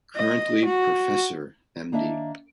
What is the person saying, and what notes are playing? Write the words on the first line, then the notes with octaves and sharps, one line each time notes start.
Currently Professor Md.
D#5
F#4
D#3 A#3 D4 D#5 E5